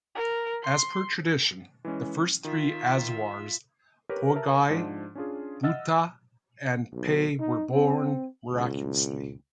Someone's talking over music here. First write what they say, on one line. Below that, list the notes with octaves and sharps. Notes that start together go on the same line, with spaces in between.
As per tradition, the first three "azhwars", Poigai, Bhutha and Pey were born miraculously.
A#4
C6
E3 G#3 C#4
D#3 F4 E5
G4 A#4 B4 C#5 F6
A#4 E5 A5 A#5
G#2 F3 D4
C#4 D4 F4 G#4
D#5 E5 F#5 E6 F6 A6
B1
D#4
C4
C#2